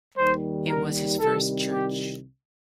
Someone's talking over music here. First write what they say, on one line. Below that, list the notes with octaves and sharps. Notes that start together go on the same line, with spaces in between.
It was his first church.
D#2 D#3 G3 C5
A#4
C2 C3 D#3 G3 A4
G4